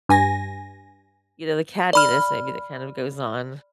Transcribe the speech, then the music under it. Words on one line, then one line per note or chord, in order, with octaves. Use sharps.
you know, the cattiness, maybe, that kind of goes on.
G2 G#5 A#6
D5 B5 F6